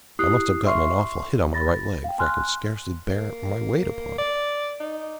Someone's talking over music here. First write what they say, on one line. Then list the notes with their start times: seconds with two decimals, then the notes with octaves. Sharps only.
"I must have gotten an awful hit on my right leg, for I can scarcely bear my weight upon it."
0.19 E4 G4 D#6 F#6 C7
0.66 E5 C6 C#6 F6 C7
1.54 B5 A6 A#6
2.04 F5 G5
2.18 G#5 C6 F6 F#6
3.09 A#3
4.18 D5
4.80 D#4